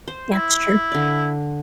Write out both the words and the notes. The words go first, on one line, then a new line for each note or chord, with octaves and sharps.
Yeah, it's true.
C5
E4
D3 D5